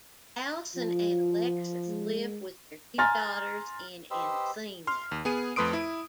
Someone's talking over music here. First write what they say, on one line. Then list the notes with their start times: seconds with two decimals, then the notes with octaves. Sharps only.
Alyson and Alexis live with their two daughters in Encino.
0.76 F3 F4
1.89 G#3
2.98 G#5 A#5 C6 F6 A6
4.11 G4 B4 C5 D#5 E6
4.87 C6 F6
5.12 D#2
5.25 B3 G#4 D#7
5.56 F2 A3 B4 C6 D#6 D7
5.73 E4